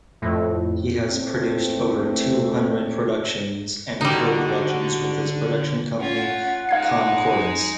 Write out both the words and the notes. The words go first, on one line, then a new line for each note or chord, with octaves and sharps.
He has produced over two hundred productions and co-productions with his production company Concordance.
F2 A2
E2 A2 A3 C4
D3 G3 D#4 F#4
C#4 F4 F#5
G#3 D#4 F5 G#6 C7